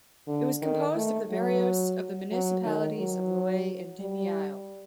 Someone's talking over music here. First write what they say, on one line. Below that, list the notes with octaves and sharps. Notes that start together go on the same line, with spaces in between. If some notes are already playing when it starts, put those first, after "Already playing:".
It was composed of the barrios of the municipalities of Loay and Dimiao.
D3
D#3
A3
F#3
F#3
D#3
F#3
G3